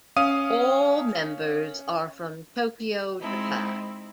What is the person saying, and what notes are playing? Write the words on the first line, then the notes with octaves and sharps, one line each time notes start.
All members are from Tokyo, Japan.
C#4 F5 D#6 D#7
G#3 C4 D#4 E4